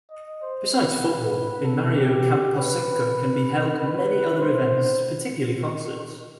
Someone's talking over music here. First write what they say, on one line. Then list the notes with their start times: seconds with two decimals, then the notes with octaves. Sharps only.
Besides football, in Mario Camposeco can be held many other events, particularly concerts.
0.10 D#5
0.41 C5
0.71 B4
1.02 B4
1.64 A4
1.94 G4
2.56 B4
3.79 B4
4.40 C5